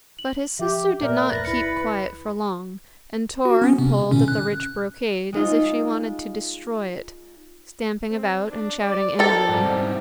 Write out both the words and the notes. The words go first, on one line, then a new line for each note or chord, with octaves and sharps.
But his sister did not keep quiet for long, and tore and pulled at the rich brocade as if she wanted to destroy it, stamping about and shouting angrily.
F#7
F3 G4 E5
A#2 A#4 D5 E5
A#1 F2 A2 B4 F#6 A6 A#6
C#2 E4 B4 C#7
F#4
B3 C#4
C3
A#2 D3 C#4
F#6
G#3 D#4 F4
C4
D4
D5
G4 A4 A#4
C2 G#2 G3